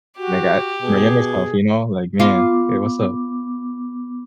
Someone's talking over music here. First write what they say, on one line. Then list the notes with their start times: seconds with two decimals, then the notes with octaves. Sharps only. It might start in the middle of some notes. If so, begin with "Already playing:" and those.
they got my younger self, you know, like, "Man, hey. What's up?"
0.18 F#4 G4
0.82 B2 G#4
2.20 B3 F4 D6